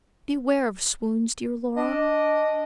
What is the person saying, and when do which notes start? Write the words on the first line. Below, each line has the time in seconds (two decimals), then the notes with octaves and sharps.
Beware of swoons Dear Laura....
1.77 D4 D#5